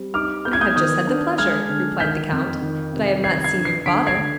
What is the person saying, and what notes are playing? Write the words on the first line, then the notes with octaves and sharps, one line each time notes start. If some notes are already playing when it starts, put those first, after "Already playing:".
"I have just had the pleasure," replied the count; "but I have not seen your father."
Already playing: G3 C4
D#4 D6 F6
B3 G6
G#6
D#6 G6
D#3 D#6 G6
D4
G#3 F6 G#6
D3
D#3 G6 B6
F2
D#3
C3
D#3 G#6 C7
G#6 C7
D4
G#6 C7
D3 B6 D7
G#6 C7
D3